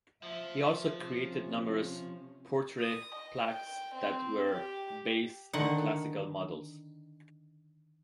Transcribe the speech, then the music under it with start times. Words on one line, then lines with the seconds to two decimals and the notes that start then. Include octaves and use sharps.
He also created numerous portrait plaques that were based on Classical models.
0.23 F3 E5
1.01 C3 C#4
2.80 D#6
3.15 D#5
3.45 G5
3.95 C4
4.51 G4
5.53 D3 D#3 F#5